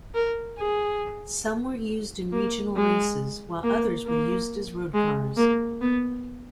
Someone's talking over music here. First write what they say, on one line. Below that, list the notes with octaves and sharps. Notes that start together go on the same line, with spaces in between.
Some were used in regional races, while others were used as road cars.
A#4
G#4
A#3
G#3
A#3
A#3
G#3
A#3
B3